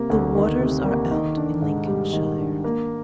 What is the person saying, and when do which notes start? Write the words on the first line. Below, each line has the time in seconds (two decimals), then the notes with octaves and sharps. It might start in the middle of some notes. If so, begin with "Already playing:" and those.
The waters are out in Lincolnshire.
Already playing: C3 A#3
0.10 D2
0.35 D#3
0.60 C3
0.86 A#3
1.11 D#3
1.37 D4
1.62 G#2
1.87 G3
2.12 D#3
2.38 D4
2.64 A#3